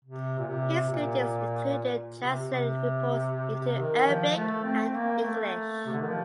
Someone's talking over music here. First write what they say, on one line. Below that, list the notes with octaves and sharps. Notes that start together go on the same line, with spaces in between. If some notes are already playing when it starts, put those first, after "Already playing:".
His duties included translating reports into Arabic and English.
C3
A#2
C3
A#2
C3
C3
C3
D#3
F3
A3
C4
C4
A#3
A3
C3
D3
D#3
F3